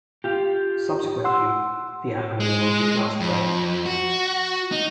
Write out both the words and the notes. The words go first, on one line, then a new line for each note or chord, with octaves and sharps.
Subsequently, the algorithm was declassified.
F4 G4
F#5 C6 E6
G#3
F2
F#4
D#4